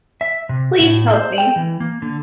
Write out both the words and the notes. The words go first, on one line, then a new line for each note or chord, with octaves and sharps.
Please help me.
E5
C3
A2
C5
G5
E3
A#3
D3